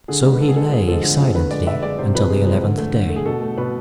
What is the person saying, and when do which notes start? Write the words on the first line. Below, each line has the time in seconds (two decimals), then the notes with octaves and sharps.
So he lay silently until the eleventh day.
0.08 D3 G#4
0.25 G#3
0.33 B4
0.40 D3 A4
0.48 G#4
0.56 G#3 A4
0.72 D3 G#4
0.88 F3 G#3 A4
1.03 D3
1.20 F3 G#3
1.35 D3 B4
1.51 G#3 D5
1.67 D3 E5
1.83 G#3 D5
1.99 C3 C5
2.15 F3 G#3 B4
2.30 C3 G#4
2.46 F3 G#3
2.62 D3
2.78 A3
2.94 D3
3.10 A3
3.16 G#4
3.25 B2 A4
3.41 A3
3.58 B2 B4